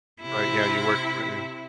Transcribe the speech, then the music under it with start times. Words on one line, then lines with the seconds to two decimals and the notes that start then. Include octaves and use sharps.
Right, yeah, you work for him.
0.21 C3 E4